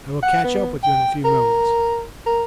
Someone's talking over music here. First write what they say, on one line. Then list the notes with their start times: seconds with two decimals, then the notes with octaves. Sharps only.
I will catch up with you in a few moments.
0.23 F#5
0.44 B3
0.83 G5
1.24 A#4
2.26 A#4